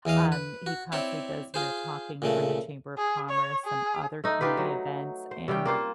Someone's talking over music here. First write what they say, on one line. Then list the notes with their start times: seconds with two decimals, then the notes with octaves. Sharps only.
um, he constantly does, you know, talking for the Chamber of Commerce and other community events, and
0.05 E2 E3 D#5 F5
0.32 B4
0.66 F#4
0.92 C4 E4 C#5 D5 E5
1.54 F4 G#4 C5
2.22 A#2 C#3 A3
2.98 G#4
3.30 C#5
3.65 G#4
4.24 A3 D#4
4.41 D#4 F4 G4 B4
4.57 F#3
5.31 C5
5.48 C3 G3 C#4 G5
5.66 A#3 F4 C5